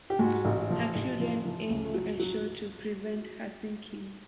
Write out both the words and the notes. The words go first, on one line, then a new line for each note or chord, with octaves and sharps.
Her crew ran "Emu" ashore to prevent her sinking.
G4
G#2 F#4
A1
F3
A1
F3
F3
C#2
F#3
F#3